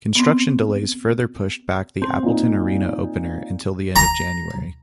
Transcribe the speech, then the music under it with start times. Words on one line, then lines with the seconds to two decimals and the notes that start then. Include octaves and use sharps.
Construction delays further pushed back the Appleton Arena opener until the end of January.
0.15 B3 C4
2.02 C4 C6
2.23 A#2 D#4
3.96 A#5